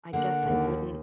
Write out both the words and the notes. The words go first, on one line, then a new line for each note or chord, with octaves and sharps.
I guess I wouldn't
D3 A#3 F#5
D#2